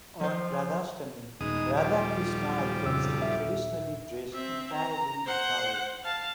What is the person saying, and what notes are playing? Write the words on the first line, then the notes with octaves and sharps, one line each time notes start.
On Radhastami, Radha Krishna icons are traditionally dressed entirely in flowers.
F3 C5
D#1 B2 G#3 D#4 D#6
B1 F3 G3 D6
F2 C#3 E6
E5
C4 E5
A#5
C5 F#5
F5 A5